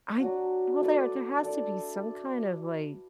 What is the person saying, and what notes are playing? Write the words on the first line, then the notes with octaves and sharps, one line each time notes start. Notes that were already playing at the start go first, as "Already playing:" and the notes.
I well there there has to be some kind of, like
F#3 D4 F#4
A3 E4 B4 D5
D4 A4 D5